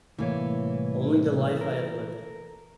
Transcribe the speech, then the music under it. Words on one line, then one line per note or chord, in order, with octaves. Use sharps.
Only the life I have lived.
C2 A2 E3 A#3 C#5
A4 A#4